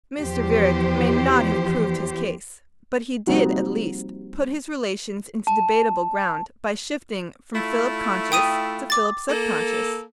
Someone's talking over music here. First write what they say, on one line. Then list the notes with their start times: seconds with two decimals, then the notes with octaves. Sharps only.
Mr. Viereck may not have proved his case, but he did, at least, put his relations into debatable ground by shifting from Philip conscious to Philip subconscious.
0.19 E2 E3 F3 G4 C5
3.27 F3 G3 A#3 C4 D#4 F#4
5.47 A5
7.54 A3 E4 F4
8.32 G5 D#6 D#7
8.90 D6 A6
9.28 A#3 A4